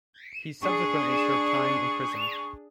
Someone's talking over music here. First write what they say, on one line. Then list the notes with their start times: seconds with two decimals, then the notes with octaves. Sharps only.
He subsequently served time in prison.
0.62 D4 G#4 C#6